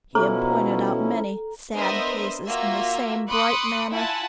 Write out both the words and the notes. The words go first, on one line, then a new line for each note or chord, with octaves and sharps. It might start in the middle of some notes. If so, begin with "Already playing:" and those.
He had pointed out many "sad cases" in the same bright manner.
B2 F3 C#4 E4 A4 A#5
B3 D4 A#4 C5 D#5 E5
A#3 F4 F#4 E5
B5 C6 D6 D#6 F#6 C#7
E4 F4 E5 F#5 G#5 A5